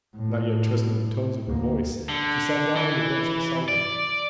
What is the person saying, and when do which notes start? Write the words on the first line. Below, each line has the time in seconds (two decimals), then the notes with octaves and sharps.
Not yet trusting the tones of her voice, she sat down on the bench beside him.
0.16 A2
1.47 D2 A#3
2.10 D3
2.76 E3
3.69 D5